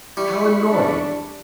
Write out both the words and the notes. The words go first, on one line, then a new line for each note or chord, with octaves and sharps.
'How annoying!
G3 E4 B5 C#6
D4